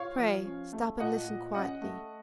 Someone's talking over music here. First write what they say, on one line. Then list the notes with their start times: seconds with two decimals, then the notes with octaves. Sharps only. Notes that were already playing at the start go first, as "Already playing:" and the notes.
Pray, stop and listen quietly.
Already playing: F4 C#5 F5
0.18 F3
0.45 C#4
0.73 A3
1.00 A#2 D#5 F#5
1.27 A#2
1.54 C#4 D#5 F#5
1.81 A3